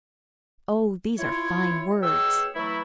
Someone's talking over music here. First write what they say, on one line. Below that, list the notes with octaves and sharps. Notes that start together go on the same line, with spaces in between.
"Oh, these are fine words."
E4 F4 C#5
B2 G#4 C#5 G5 E6
E3 F#3 A3 E4